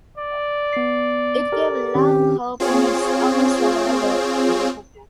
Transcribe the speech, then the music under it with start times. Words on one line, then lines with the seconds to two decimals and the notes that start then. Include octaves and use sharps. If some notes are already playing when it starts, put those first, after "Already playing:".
It gave love hope in its own survival.
0.18 D5
0.73 B3 C7
1.52 G4 A4 A#4
1.95 D#3 C4 C#4 G4
2.60 C4 F4 G#4 C#5